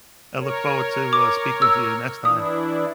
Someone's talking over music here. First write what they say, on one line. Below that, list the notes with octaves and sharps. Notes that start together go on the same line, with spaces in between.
I look forward to, uh, speaking with you the next time.
A#4 C#5
D6
E6
E3 D4 E4 D#6